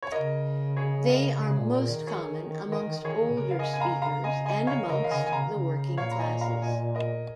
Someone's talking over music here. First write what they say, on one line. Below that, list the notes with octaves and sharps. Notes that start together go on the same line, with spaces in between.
They are most common amongst older speakers and amongst the working classes.
C#5
C#3 A#4 D#5
G#4 C#5
F5
A#4 D#5
C#3 G#4
A#2
A#2 A#4
D#3
G#4 C#5
A#4 D#5
G#4 C#5
A#2
C#3 A#4
F5
D#5 G#5
G#5
F5 A#5
F5 A#5
D#5 G#5
D#5 G#5
C#3 C#5 F5
D#3
C#3 A#4 D#5
D#3 F5
C#3 D#5 G#5
D#3 G#5
C#3 F5 A#5
D#3
C#3
A#2 C#5 F5
A#5
D#5 G#5
F5 A#5
D#5 G#5
A#4 D#5